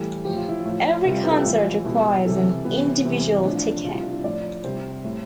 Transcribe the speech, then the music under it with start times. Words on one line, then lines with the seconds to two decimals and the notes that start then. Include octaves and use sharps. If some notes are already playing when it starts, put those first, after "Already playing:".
Every concert requires an individual ticket.
Already playing: A2 E3 G3 A4
0.25 A2 F3 G4
0.36 F4
0.49 E4
0.60 F4
0.65 A2 F3
1.05 C3 G3 F4
1.23 B4
1.31 A4
1.38 G4
1.45 A2 E3 G3 F4
1.85 B2 G3 E4
2.25 C3 E3 G3 A4
2.64 C3 E3 G3 B3
3.04 C3 E3 G3 C4
3.44 A2 F3 D4
3.84 C3 G3 F4
3.93 E4
4.03 D4
4.12 E4
4.24 A2 F3 D5
4.64 C3 G3 C5
5.04 A2 G3